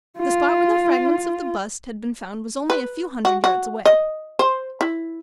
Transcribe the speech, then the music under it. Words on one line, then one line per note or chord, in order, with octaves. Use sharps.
The spot where the fragments of the bust had been found was only a few hundred yards away.
F4
B4
F#4
F#4
D#5
C5
E4